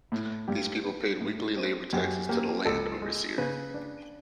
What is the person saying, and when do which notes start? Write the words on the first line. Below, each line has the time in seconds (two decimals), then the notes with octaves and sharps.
These people paid weekly labor taxes to the land overseer.
0.12 A2
0.48 G2 G4
0.84 B3
1.21 A2
1.57 C4
1.93 F#2 G4
2.29 A#3 G4
2.65 C#2 A4
3.02 G#3
3.38 C#3 B4
3.74 D4